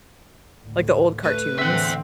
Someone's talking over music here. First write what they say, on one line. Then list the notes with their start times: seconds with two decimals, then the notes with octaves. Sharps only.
Like, the old cartoons.
0.60 D2 A2
1.24 A3 B4
1.59 A2 D3 E3 C4 E5 F#5